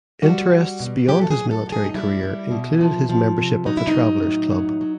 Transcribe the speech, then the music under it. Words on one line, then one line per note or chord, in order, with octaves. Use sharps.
Interests beyond his military career included his membership of the Travellers Club.
G3 F#4
G3
B2
F#3 G4
A4
G#4
F#3
A4
A2
G#4
D#4
G3 E4
G3
B2
F3
F3
C3
F#3 D#4
E4
D#4
F#3
A2
F#3
F#3